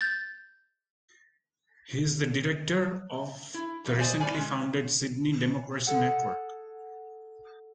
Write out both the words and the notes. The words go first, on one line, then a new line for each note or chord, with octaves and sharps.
He is the Director of the recently founded Sydney Democracy Network.
G6 A6
E4
E2 G#2 G3 A#5
C5 D5 D#5 G#5
A2 G3 D5 G#5
G#3 C#4
G#4 A4 F#5